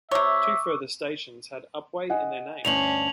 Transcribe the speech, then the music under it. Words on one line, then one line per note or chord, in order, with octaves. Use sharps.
Two further stations had Upwey in their name.
C3 C#5 E5 C#6 D6 E6
D#5 F#5 G#5
D2 G2 C#4 D4 F7 F#7